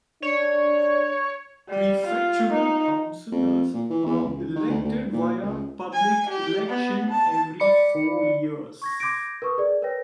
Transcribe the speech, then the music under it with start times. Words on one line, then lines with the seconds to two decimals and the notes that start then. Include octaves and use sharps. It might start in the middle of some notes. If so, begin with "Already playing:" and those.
Prefectural councillors are elected via public election every four years.
0.22 D4 C#5
1.69 G3
2.07 F4
2.51 D#4
3.32 F2
3.74 A#2
3.90 E3
4.06 E2
4.24 C#2
4.55 D#3
4.68 D2
4.84 D2
5.13 A#2
5.42 C#2
5.93 G#5
6.29 G4
6.69 B3
7.10 A5
7.60 D5 B5 C#7
8.82 C#6 G#6 A#6
9.00 C6 D6 G6 G#6 A#6 D7
9.42 A#4 B4 C#6 D#6
9.58 G#4 D5
9.82 A#4 B4 C#5 G5 A#6